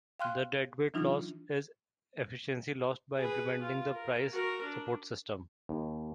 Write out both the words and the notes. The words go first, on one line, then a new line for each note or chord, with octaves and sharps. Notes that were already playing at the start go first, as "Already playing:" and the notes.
The deadweight loss is the efficiency lost by implementing the price-support system.
F5 G5 C6 F6 F#6
E3 F#3 D4 D#4 F4
G#4 B4
F4
A#4
F#4 A#4
D4
D#2